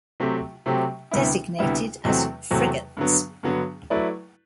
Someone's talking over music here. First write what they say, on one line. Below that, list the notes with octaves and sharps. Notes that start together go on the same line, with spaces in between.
Designated as frigates.
C3 F#3 A3 C4 G4
C3 F#3 A3 C4 G4
D2 C3 G3 B3 E4
D2 C3 G3 B3 E4
E2 C3 F#3 A3 C4
E2 C3 F#3 A3 C4
G2 D3 F#3 B3
G2 D3 F#3 B3
F#3 A3 E4 B4 D5